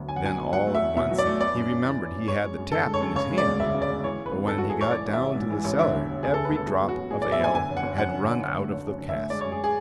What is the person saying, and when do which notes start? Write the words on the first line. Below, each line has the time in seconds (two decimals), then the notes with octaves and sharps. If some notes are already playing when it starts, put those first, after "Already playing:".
Then all at once he remembered he had the tap in his hand; but when he got down to the cellar, every drop of ale had run out of the cask.
Already playing: D2 F#3 B3
0.09 D3 G#5
0.16 F#5
0.23 F#3 G#5
0.39 B3
0.52 F#3 F#5
0.67 A3
0.75 E5
0.82 E2
0.97 B2 E5
1.11 F#3
1.18 D5
1.26 A3
1.40 B3 D5
1.55 F#2
1.70 F#2
1.84 E3
1.99 B3
2.14 F#2
2.28 G#3 C#5
2.43 F#2
2.58 F#2
2.72 D3 A4
2.87 G#3
2.94 C#5
3.01 F#2
3.15 C#3 C#5
3.31 G#3
3.38 D5
3.45 E1
3.60 D2 E5
3.74 C#3
3.82 D5
3.89 G#3
4.03 E3 C#5
4.18 G#3
4.26 B4
4.33 G#1
4.48 F#2 A4
4.58 E3 F#4
4.70 G#4
4.77 G#3 C#5
4.91 E3 D5
5.06 A1
5.13 E5
5.21 A1
5.35 G#2
5.50 E3
5.64 A1
5.79 D3 E5
5.94 E1
6.08 E1
6.23 D2 G#4
6.34 D3 A4
6.45 B4
6.52 E1 A4
6.67 F#3 G#4
6.82 B3
6.89 F#4
6.96 A1
7.11 A2 G#4
7.22 F#3 D5
7.32 E5
7.40 B3 G#5
7.54 D3 G#5
7.69 F#1
7.77 F#5
7.83 F#1
7.98 F#2 F#5
8.14 D3
8.28 F#1
8.42 D3
8.57 A3
8.72 F#1
8.87 F#2
9.01 D3
9.09 E5
9.15 A3
9.30 G#3 D5
9.41 F#2 C#5
9.52 G#4
9.64 G#4